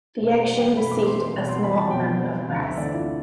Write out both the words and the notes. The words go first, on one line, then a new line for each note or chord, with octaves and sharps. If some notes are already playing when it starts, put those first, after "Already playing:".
The action received a small amount of press.
B2 C5
D5
C5
G3 C4
G5
B2 B5
D6
G3 C4 C6
C6
B2
C6
G3 C4 B5
A5
B2 G5
G3 C4
D2 F5
E5
D3 A3 C4 D5
E4
F4
F4